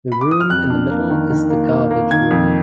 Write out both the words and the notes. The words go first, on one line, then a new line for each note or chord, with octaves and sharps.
The room in the middle is the garbage room.
B5
D6
D#6
F6
F2 F#6
D4
A#3
D#3
D#3
A#3
A#3
A#3
D#3 G#6
F2